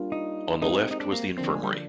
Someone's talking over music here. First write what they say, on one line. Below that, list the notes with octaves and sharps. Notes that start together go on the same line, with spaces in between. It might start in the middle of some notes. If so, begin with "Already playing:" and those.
On the left was the infirmary.
Already playing: G3 A#3 D4 F4
D#4
G#3 C4 D#4 G4 A#4
D#4
D4
A#3
D3 F3 A#3 C4 D4
G#3
G3